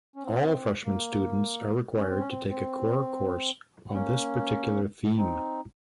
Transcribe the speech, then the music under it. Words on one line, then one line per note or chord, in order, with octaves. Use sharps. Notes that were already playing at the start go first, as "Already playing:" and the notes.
All freshmen students are required to take a core course on this particular theme.
C#4
C4
A#3
C#4
C4
C#4
C4
C4
A#3 C#4
C4 D#4